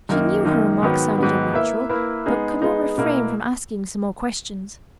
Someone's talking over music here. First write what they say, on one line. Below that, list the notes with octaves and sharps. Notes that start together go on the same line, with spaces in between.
She knew her remarks sounded unnatural, but could not refrain from asking some more questions.
F#2 D#3 A#3 D#4
F#2 D#3 A#3 D#4
G#2 D#3 F#3 B3
G#2 D#3 F#3 B3
A#3 E4 B4 E5
A#3 E4 B4 E5
G#3 B3 D#4 G#4
G#3 B3 D#4 G#4
B2 A#3 E4